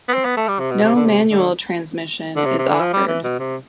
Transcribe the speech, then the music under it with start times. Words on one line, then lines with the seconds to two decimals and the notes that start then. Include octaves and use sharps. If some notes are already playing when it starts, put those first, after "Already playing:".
No manual transmission is offered.
0.08 B3
0.14 C4
0.25 B3
0.37 A3
0.48 G3
0.59 C3
0.71 B2
0.83 C3
0.95 D3
1.06 C3
1.30 D3
2.36 D3
2.46 C3
2.58 C3
2.69 D3
2.80 F3
2.93 G3
3.08 E3
3.24 B2
3.39 C3